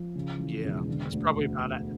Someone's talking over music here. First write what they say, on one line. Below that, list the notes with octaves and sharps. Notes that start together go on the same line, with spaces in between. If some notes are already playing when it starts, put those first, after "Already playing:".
Yeah. That's probably about ac
Already playing: F3
C#3
E3
E1
D3
D2
D2